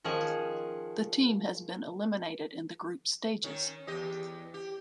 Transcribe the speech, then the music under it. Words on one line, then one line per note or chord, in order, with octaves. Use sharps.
The team has been eliminated in the group stages.
D#3 F3 C#4 G#4 F#5 G#5
D#3 C#4
E2 G4 D#5
G4